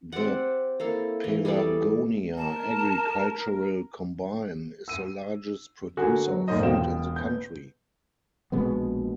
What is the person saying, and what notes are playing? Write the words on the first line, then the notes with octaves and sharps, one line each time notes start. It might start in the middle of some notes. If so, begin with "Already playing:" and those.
The Pelagonia agricultural combine is the largest producer of food in the country.
C4 G4 D5 F#5
A#3 E4 A4
E3
G3 G#4 A4 D5
A#4 A5
E6 D#7
D3 F#4 G#4 A#4
F#3
F1 G#2 A#4 C5 C#5 D#5
E1 B2 F4 G5 E7
B3 G6
A#1 B2 G#3 B3